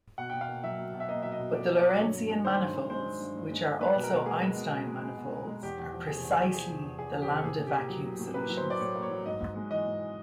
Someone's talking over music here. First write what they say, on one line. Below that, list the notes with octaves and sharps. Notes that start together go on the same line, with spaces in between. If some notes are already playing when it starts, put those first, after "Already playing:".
But the Lorentzian manifolds which are also Einstein manifolds are precisely the Lambdavacuum solutions.
B2 F#5
B2 G5
F5
A#3
F#3 E5
B2
B2
E5
A#3 D#5
F#3 E5
D#5
B2
B2 D5
A#3
D5
F#3
G2 C#5
G2
G#3
D#3 C5
G2
G2
G#3 C5
D#3
G2
G2
G#3
D#3
G#3 B4
B2
A#4
B2
G#3 G#4
G#3
B2
B2
G#3
G#3
B2
B2
G#3
E2 G4
E2
F3
C3 G#4
E2
G#4
E2
F3 G#4
C3
E2
E2 G#4
F3
G4
C3
A4
A2 G#4
A2
G4
A#3
F#3
A2
A2
A#3 B4
F#3
C5
A2
D5
A2 C#5
A#3
C#5
F#3
G#2 D#5
G#2
G#3
E3 D#5
G#2